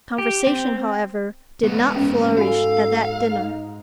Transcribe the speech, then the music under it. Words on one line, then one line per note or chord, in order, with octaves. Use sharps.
Conversation, however, did not flourish at that dinner.
G4
C4
G#3 B3
G#2 C#4
F#4 A4 F5 G#5
D#4